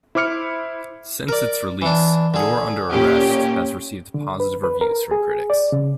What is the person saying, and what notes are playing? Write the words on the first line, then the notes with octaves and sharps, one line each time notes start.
Since its release, "You're Under Arrest" has received positive reviews from critics.
E4 C5 D6 F6 C#7
A#4 D5
E3 D4
D3 G#4
A#2 C#4 G4
D3
B4
B4
A#4
G#4
D5
C#3